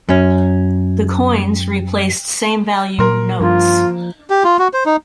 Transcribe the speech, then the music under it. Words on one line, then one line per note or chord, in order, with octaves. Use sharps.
The coins replaced same value notes.
F#2 C#4
A#2 F#3 A#4 C6
G2 F3 A#3 F4
G4
F4
F#4
C5
D#4